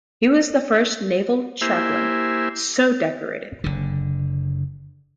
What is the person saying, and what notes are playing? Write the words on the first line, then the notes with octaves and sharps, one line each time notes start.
He was the first Naval Chaplain so decorated.
A#3 E4 G4 C5 E5 G#5
F#1 D3